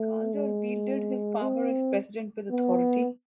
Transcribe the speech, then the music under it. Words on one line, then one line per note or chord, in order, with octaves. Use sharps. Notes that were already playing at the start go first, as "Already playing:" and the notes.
Calder wielded his power as president with authority.
Already playing: A3
G#3
C4
B3